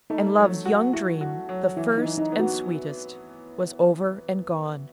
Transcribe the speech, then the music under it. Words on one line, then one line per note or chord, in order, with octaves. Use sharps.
And love's young dream, the first, and sweetest, was over and gone.
A3 D#4
F#3
F#4
E4 F#4
F#4
F#3
E3 E4
D#4
E3
D#4
B3
F#4